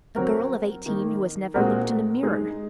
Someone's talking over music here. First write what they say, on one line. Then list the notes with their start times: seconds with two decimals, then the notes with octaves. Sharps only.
A girl of eighteen who has never looked in a mirror!
0.16 F#3 C4 F#4 A#4
0.86 D#3 A#3 D#4
1.54 A#2 G#3 C4 F#4 A#4
2.23 G#3 D#4 G#4